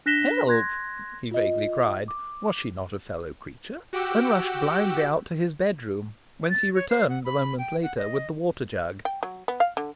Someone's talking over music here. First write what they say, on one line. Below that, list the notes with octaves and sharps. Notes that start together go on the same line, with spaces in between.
"Help!" he vaguely cried--was she not a fellow-creature?--and rushed blindly out to his bedroom, whence he returned, a moment later, with the water-jug.
D4 F#6 A#6 B6 E7 G7
C6 F#6 G#6 A#6
F4 D#5
D6
F#4 G4 F#5 G5 D6 E6
A6
C#5
C5
F#5
B5
G5
F#5
D#5
G5
F#3
B3
F5
D3